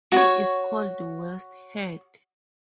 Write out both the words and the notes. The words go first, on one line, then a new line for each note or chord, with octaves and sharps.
It is called West Head.
F#4 C#5